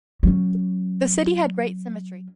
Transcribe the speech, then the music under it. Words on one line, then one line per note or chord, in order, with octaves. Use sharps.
The city had great symmetry.
F#3 C#4